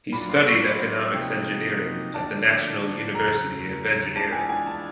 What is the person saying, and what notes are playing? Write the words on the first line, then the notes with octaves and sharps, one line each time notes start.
He studied economics engineering at the National University of Engineering.
F#3 A#3 D4 F4 B5
C6
C#6
C3 F3 A#3 D#4 F#4 G5
D3 F3 A#3 D4 F#4 A5
E2 C#3 F#3 A3 A#5
E3 G#3 B3 D4 F4 A5
G#5
G#5
A5